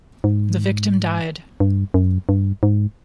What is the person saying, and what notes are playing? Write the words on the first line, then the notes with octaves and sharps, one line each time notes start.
The victim died.
G#2
G2
F#2
G2
G#2